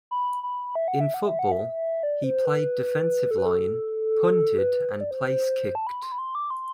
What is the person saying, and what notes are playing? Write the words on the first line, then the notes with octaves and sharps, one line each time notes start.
In football, he played defensive line, punted and place kicked.
B5
B5
E5
F#5
E5
F#5
E5
F#5
E5
D5
C5
B4
A4
B4
A4
B4
C5
D5
C5
A5
B5
C6
B5
C6
D6
C6